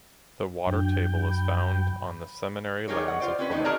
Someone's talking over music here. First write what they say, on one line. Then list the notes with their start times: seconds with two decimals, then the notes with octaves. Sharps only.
The water table is found on the Seminary Lands of Quebec.
0.67 F#2 F#3 D4 G5
1.22 B5
2.88 G3 D#4 G4 G#4 A#4 C#5
3.08 F#5
3.20 F4 C5 D5
3.38 C4 C#4 B4
3.51 D#3 E3 A3 D#4
3.64 F#4 G#4 A#4 D5 A5 A#5